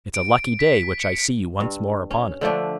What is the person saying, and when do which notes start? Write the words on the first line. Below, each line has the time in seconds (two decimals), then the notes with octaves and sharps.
"It's a lucky day which I see you once more upon it."
0.14 D7
0.59 B6
1.00 C#7
1.60 G2
2.11 C#4
2.41 D3 F3 A3 D4